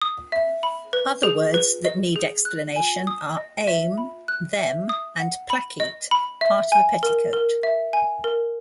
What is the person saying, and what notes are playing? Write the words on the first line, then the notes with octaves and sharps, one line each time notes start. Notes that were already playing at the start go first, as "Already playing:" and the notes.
Other words that need explanation are "ame" 'them' and "plack-keet", 'part of a petticoat'.
D#6
E5
B5
B4
G#4
B4
D#5
G#4
F#6
G#5
D#6
D#5
E5
B5
F#6
E5
D#6
F#5
B5
D#5
B5
E5
G#5
A#4
A#4
E5
G#5
A#4